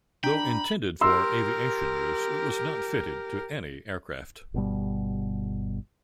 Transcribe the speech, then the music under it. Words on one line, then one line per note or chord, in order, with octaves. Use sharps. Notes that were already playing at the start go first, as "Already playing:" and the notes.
Though intended for aviation use, it was not fitted to any aircraft.
D4 G5 A#5 B5
G4 A#4 C6 E6
G1 B2 G3